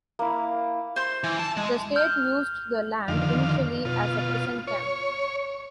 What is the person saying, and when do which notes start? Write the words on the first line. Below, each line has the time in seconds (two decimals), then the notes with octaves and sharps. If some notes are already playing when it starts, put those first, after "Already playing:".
The state used the land initially as a prison camp.
0.19 A#3 E4
0.96 C5 C6
1.24 E3
1.39 A5
1.57 G#3
1.96 F6 G6
3.08 F2 D3 D#3 F5
3.85 B2 F4
4.67 C#5